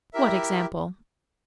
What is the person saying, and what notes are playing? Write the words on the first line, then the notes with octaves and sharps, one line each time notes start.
"What example?"
E4 G4 A#4 E5